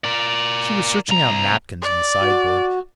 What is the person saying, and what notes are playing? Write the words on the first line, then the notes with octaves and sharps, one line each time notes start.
She was searching out napkins in the sideboard.
A#4 D5
C2 A#5
D5
F#4